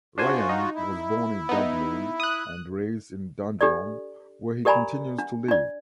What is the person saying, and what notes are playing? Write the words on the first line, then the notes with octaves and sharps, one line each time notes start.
Ryan was born in Dublin and raised in Dundrum where he continues to live.
D4 F4 F#4 C5 G#5
D#4
E4
B3 D#4
D#6 F#6
D4 G4 A4 D5
G4 A#4 D5 G#5 A#5 B5
D4
D4 D5